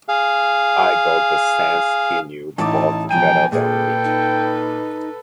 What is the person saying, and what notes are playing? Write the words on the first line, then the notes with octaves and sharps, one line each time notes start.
I got the sense he knew "both" better than me.
G#4 F5
A1 D#4 E4 A5 D6
E1 F3 G5 G#5 A#5 D#7
A#2 G#4 A4 B4 G5
D#4